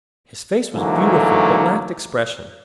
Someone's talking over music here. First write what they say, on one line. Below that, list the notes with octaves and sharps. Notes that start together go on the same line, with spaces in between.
His face was beautiful, but lacked expression.
G#2 D3 E3 F#3 A3 A#3